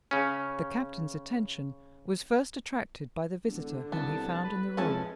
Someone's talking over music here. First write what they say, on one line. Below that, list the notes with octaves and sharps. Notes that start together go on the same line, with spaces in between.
The Captain's attention was first attracted by the visitor whom he found in the room.
C#3 C#4
E1 D3
C2 B3 A5
B4
F2 G#3 C#4 E4 A5